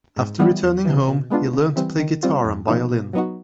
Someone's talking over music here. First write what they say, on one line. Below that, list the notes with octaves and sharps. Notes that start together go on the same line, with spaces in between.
After returning home, he learned to play guitar and violin.
G#2
E3 G3 B3
E2
C3 E3
B2
G#3 B3 D4 F4
C#3
E3 G3 C4
D#3
G3 C4 F4
F2
C3 F3 A#3 D#4
B2
F#3 B3 D#4 F#4